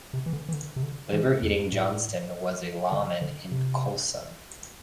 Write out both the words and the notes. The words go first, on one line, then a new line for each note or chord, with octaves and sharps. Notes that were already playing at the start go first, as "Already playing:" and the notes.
Liver-Eating Johnston was a lawman in Coulson.
C3
E3
D3
E3
D3
C3
D3
E3
F2
A2
D3
D3
C3